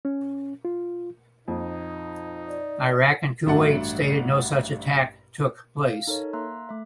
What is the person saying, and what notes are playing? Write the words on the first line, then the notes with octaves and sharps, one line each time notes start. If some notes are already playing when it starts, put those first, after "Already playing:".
Iraq and Kuwait stated no such attack took place.
C#4
F4
F2 D#4
D5
A1 G2 F#3 A3 D4 F#5
F5
D#4 A4 A#4 C#5
A#3 E5 A#5 C6 E6 F#6
A3 E5